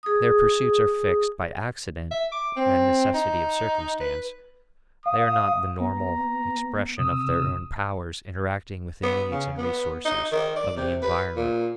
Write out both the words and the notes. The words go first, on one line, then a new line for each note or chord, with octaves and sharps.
Their pursuits are fixed by accident and necessity of circumstance; they are not the normal expression of their own powers interacting with the needs and resources of the environment.
G#4 D#6
E5
D6
C4
D#4
B4
F5 D#6
B3 A#5
C3 D#6 E6
B3
C#3
B3
D#4
D#3
D5
C3
B4
A#2